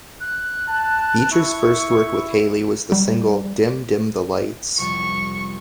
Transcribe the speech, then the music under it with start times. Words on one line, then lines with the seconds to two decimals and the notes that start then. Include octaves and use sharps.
Beecher's first work with Haley was the single "Dim, Dim the Lights".
0.20 F#6
0.68 A5
1.32 E4 C#6
2.92 G3
4.79 C2 F2 G3 C#6